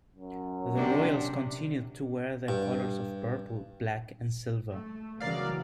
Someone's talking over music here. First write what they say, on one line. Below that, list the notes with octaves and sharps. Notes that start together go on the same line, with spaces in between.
The Royals continued to wear their colors of purple, black, and silver.
F#2
C3 D4
G2
A3
C#3 E3 F#3 A#4 D5 F5